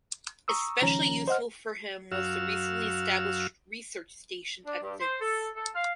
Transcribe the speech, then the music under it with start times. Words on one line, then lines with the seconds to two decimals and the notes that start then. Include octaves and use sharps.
Especially useful for him was the recently established research station at Finse.
0.48 A#5 C#6 D#6 E6
0.81 C#2 D#3 F3 C#4 A#5
1.28 C5 D#5 F#5 F6
2.12 F#2 F#4 F5 E6
4.65 D4
4.82 G2
5.01 C5
5.21 A4
5.56 A4
5.75 F5